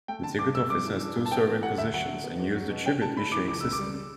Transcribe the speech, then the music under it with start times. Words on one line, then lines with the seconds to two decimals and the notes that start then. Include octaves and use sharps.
The ticket office has two serving positions and uses the Tribute issuing system.
0.08 A3 G5
0.23 D3 A5
0.39 G2 D6
0.54 G2 E6
0.70 G3 D6
0.86 E3
1.01 D4
1.16 G2
1.26 A5
1.31 B3 G5
1.47 E3
1.63 A3 F#5
1.78 D2 E5
1.94 F#3 F#5
2.09 D3
2.24 B3
2.40 E2
2.55 F#3
2.70 B2
2.86 C#4 G5
3.01 A2 A5
3.17 A3 B5
3.32 E3 D6
3.48 C#2 D6
3.60 C#2 E6
3.73 D6
3.79 G3
3.94 C#3